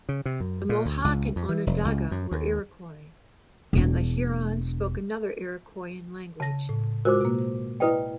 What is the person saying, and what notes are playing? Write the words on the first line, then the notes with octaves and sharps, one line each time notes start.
The Mohawk and Onondaga were Iroquois, and the Huron spoke another Iroquoian language.
C#3
C3
F#2
A#2
D2
C#2
F2
E3
F1
C#2
F#2
D#2
E1 D4
C#3 A5 A#6
A2
G#3 F4 F#4 A#4 C5 D6
B2 A#3
E4 B4 D5 D#5 G5 D#6